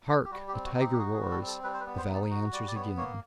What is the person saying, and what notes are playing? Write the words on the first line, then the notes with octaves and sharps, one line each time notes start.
Hark! a tiger roars,--the valley answers again.
G4
G3 F#4
G4
C4
F#4
D#4
G4
G4
F#4 G#4
G#4
G3
A4
C4
A4
G3 B4
C5
B4
B3
C5
D#4
D5
F#4
G3 D5
D5
B3 C#5
A#3 C#5